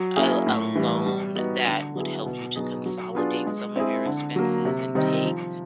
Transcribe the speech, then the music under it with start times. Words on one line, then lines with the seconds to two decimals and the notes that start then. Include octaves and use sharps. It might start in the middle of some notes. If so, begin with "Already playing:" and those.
a l a loan that would help you to consolidate some of your expenses and take
Already playing: F#3
0.16 A#3 C#4 E4 G#4
0.47 A2
0.75 E3 G3
1.06 G3
1.36 B3 D#4 F#4
1.66 D3
1.95 F#3 B3 E4 G#4
2.25 B2
2.55 F#3 B3 D#4 G#4
2.86 F#3
3.15 B3 D4 F4 G#4
3.46 G#3
3.76 C4 E4 G#4
4.05 D3
4.36 F#3 A#3
4.65 C3
4.95 D#3 G3 C4 D#4
5.25 F3